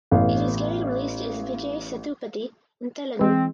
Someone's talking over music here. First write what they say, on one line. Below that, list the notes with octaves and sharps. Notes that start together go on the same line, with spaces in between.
It is getting released as "Vijay Sethupathi" in Telugu.
A1 B3 F5
E3 G#3 C4